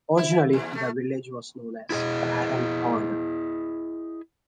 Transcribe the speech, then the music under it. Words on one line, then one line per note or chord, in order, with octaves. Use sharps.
Originally the village was known as Warren Pond.
E4
D#2
A3
E4 G#4 D#5